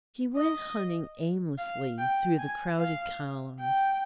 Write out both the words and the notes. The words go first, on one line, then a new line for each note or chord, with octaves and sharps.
She went hunting aimlessly through the crowded columns.
D#5
F5
G5
G#5
F5
G5